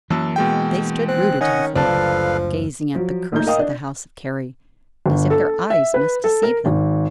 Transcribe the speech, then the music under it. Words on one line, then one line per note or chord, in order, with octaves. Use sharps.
They stood rooted to the floor, gazing at the Curse of the House of Carey as if their eyes must deceive them.
F#2 E3 A#3 A5 E6
B2 G#3 G5
C4 F#6
D#3 C#4 D#5 F#5 G#5
F#1 D2 F3 A4 B4 D5 F5 A5
F3 F#3
A#1 A2 D#4 G6
A#4 D#5 F5 G5 D#6
D4
G1
A4
E5
B4
A4
A#4
G#1